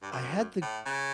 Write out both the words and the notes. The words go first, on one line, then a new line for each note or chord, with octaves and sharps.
I had the
G2
F#2
A2
C#3